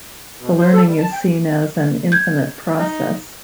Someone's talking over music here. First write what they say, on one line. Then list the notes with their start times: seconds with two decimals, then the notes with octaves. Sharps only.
The learning is seen as an infinite process.
0.38 B2
0.58 C5
0.73 A4
0.86 G3
0.98 A5
1.12 G5
2.12 G6 G#6
2.79 D#4